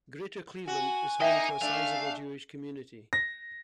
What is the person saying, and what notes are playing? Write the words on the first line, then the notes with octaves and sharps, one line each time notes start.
Greater Cleveland is home to a sizable Jewish community.
F#4 G#5
A#3 D#4 D#5 E5 G5
A3 D4 F5
A#6